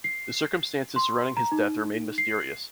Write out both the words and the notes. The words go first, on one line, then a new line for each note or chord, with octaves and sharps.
The circumstances surrounding his death remain mysterious.
C7
C6
A#5
D#4
C7